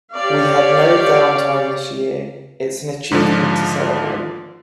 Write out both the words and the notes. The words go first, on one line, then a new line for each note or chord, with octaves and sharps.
We had no downtime this year. It's an achievement to celebrate.
G4 C#5 D5 F5
G#2 D3 F3